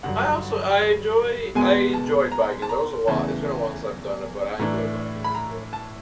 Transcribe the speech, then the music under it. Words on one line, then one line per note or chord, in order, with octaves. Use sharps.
I also I enjoy I enjoy biking, there was a lot it's been a while since I've done it, but I enjoy biking, as well.
G2 D3 F#3 F#5
E2 B2 G#3 B3 G#5
A5
A#5
A5
A#5
E2 C#3 E3 A3 A5
A2 E3 A3 D4 A#5
B5
A#5
A5